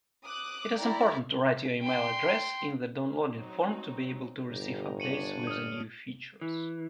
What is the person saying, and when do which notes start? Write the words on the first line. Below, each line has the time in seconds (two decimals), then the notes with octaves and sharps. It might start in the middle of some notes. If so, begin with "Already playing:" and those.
It is important to write your email address in the downloading form to be able to receives updates with the new features.
0.25 D6 D#6 F#6
0.80 E4 D5 G5 A#5
1.82 G5 C6
3.35 F#3 C4 D#4
4.49 G1 G4 A#5
5.00 D4 C#5 C#7 D#7 F#7
5.47 D#6 F6
6.41 E3